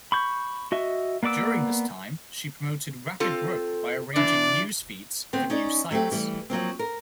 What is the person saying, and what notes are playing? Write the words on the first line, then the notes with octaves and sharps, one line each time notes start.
During this time she promoted rapid growth by arranging news feeds for new sites.
B5 C#6 G6
F#4 D#5 E5
A#3 B3 D5 D6 E6
C4 F4 A4
E3 D4 D5
D2 B3 C4
C#4 D#4 D5
F#3 A3 B3 C4 G4
E3 G3
F3 F#3 A#3 C4
A#4